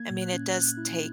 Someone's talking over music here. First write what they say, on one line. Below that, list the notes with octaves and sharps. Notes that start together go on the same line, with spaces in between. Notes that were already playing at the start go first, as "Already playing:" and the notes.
I mean, it does take
Already playing: A#3 G#6
A#2
F#6
C#4
C#4 F#6
E4